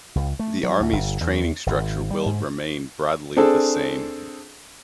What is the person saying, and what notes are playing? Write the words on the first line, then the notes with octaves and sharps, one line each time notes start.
The Army's training structure will remain broadly the same.
C#2
A3
F#3
D2
G1
E2
G#1
G3
G#2
C4 D4 G#4 A4